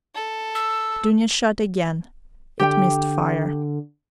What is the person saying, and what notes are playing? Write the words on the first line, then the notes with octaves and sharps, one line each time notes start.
Dounia shot again: it missed fire.
A4
E6
D3 G4 G5